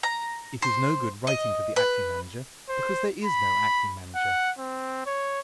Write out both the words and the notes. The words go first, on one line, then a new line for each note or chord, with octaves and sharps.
It is no good writing to the acting manager, because there is no acting manager.
A#5
C5
D#5
B4
C5
B5
F#5
C4
C#5